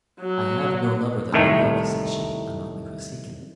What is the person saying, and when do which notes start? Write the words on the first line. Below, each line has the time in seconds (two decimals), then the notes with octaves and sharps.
"I have no lover that I love," said she, "among the Kosekin."
0.20 F#3
1.33 C2 A2 D#3 A3